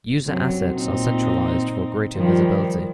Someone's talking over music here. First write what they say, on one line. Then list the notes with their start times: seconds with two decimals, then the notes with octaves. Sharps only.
User assets are centralized for greater visibility.
0.26 F#2 C3 F#3
0.74 A#2 C4 D#4
2.15 D#3 F3 G3